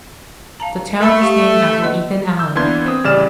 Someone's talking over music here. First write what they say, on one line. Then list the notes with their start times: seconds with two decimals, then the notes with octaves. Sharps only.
The town is named after Ethan Allen.
0.60 F5 A5 A#5
1.00 A3 A#4 E5 B5
1.22 G4 F5 C#6
1.82 D#3 A#3 D#5
2.39 E6 G6
2.55 E3 A#3 B3 D4 C6 G#6
2.86 C4 D#6
3.04 A1 C#3 G3 D5 F6 E7